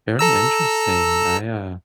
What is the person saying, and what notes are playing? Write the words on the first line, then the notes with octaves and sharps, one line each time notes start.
Very interesting. I, uh
A4 A#5 E6